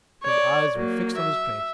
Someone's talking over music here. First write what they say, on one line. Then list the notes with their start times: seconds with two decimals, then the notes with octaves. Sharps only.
His eyes were fixed on his plate.
0.23 C#5 D5
0.75 F#3 A#3
1.18 E5